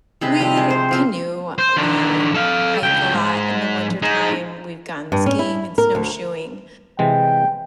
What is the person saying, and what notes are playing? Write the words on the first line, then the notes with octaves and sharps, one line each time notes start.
We canoe, a we hike a lot in the wintertime, we've gone skiing and snowshoeing,
C3 G#3 B4
C3 F3 G3
G#3
C5
F3 C4
C5
D#3 D4
A4 F5
C#2 G5
G#2
D#4 G#4
G2
C#4
E4
A#4
D2
C3 E3 G#3 G5